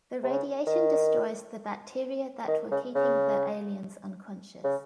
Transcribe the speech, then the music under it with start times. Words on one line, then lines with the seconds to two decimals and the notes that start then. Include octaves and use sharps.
The radiation destroys the bacteria that were keeping the aliens unconscious.
0.23 C3
0.30 C#3
0.67 D#3
2.48 D#3
2.71 C#3
2.95 C#3
4.64 C#3